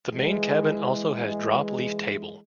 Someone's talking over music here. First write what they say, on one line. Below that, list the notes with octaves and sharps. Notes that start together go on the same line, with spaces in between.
The main cabin also has drop leaf table.
E3 G#3